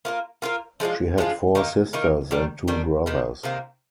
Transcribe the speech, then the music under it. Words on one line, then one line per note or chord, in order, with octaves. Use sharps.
She had four sisters and two brothers.
A#3 F4 A#4
A#3 F4 A#4
F3 G#3 D4 F4
F3 G#3 D4 F4
D#3 A#3 D#4 A#4
D#3 A#3 D#4 A#4
D#3 G3 D4
D#3 G3 D4
C3 D#3 A#3
C3 D#3 A#3